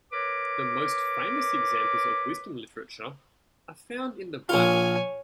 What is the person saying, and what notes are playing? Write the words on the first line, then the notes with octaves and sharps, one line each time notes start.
The most famous examples of wisdom literature are found in the Bible.
A#4 B4 C#5 D6
A#1 F4 C#5 G#5